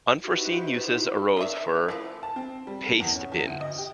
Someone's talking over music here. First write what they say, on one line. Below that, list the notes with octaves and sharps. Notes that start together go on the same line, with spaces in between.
Unforeseen uses arose for pastebins.
D#4 E4 F#4 G4 B4 C5
D#3 D5 E5
E5
E3 F3 A3
A5
C4
G3
A4
E2
C#4
E2
D2
D#5
G4